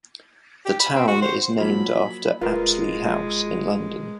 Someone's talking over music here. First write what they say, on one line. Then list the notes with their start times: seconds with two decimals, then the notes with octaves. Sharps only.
The town is named after Apsley House in London.
0.65 G4
0.80 B5
0.95 C4
1.08 F#4
1.22 C5
1.58 F3 F#3 A#3 B5
2.41 D#1 G#3 F4 A#4 B4